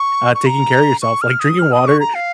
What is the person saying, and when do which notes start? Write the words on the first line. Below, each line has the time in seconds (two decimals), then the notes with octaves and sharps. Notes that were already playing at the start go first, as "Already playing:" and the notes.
uh, taking care of yourself. Like drinking water.
Already playing: C#6
0.35 C#6
0.46 A#5
1.02 C#6
1.22 F6
1.40 D#6
1.59 F6
1.72 D#6
1.87 C#6
2.00 A#5
2.14 F5